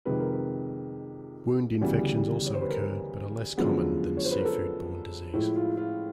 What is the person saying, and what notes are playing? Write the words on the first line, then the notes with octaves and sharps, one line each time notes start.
Wound infections also occur, but are less common than seafood-borne disease.
F2 C3 D#3 G#3 B4
A#4
B4
D2 C#3 E3 G3 B3
C#5
C5
B4
A#4
F#2 D3 F3 G#3 B3
C#5
C5
B4
A#4
A4
A2 F3 G#3 E4
F4
F4